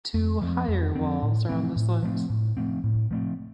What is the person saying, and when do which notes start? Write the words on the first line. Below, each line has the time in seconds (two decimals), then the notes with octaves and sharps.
Two "higher" walls are on the slopes.
0.14 F2
0.41 F3 C4
0.68 F2
0.96 F3 C4
1.23 A2
1.49 F3 A3 C4
1.76 A2
2.03 F3 A3 C4
2.30 A2
2.57 F3 A3 C4
2.84 A2
3.11 F3 A3 C4